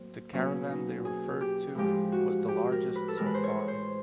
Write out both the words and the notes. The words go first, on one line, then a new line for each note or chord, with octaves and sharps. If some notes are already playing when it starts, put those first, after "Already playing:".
The caravan they referred to was the largest so far.
Already playing: A2 F#3 A#3 C4
B2 F#3 A#3 C#4
D#4
G#4
G4
A2 F3 G#3 G4
F#4
G4
A#4
B4
A4
A2 E3 G#3 A#4
B4
C5
C#5
C5